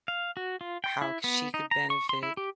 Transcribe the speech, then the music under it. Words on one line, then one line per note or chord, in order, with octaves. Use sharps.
how c she could benefit
F5
F#4
F4
G5
E4
B3
D#4
A#5
C#6
C6
E4
G4